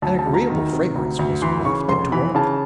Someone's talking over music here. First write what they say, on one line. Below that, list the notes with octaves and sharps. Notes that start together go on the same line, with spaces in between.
An agreeable fragrance was wafted toward them.
D2 A5
A5
D2
A#5
D#3
C3
D2
D2
E3 C6
C#3 C#6
F1 C6
E3 B5
C#3 A5